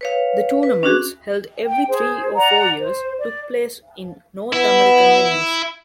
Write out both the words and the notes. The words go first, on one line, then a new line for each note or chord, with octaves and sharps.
The tournaments, held every three or four years, took place in North American venues.
B4 C#5 F5
B4
C#4 D4 F#4 G#4
G5
G#4 C5
D5 F#5 A#5
C5
D5
B3 E4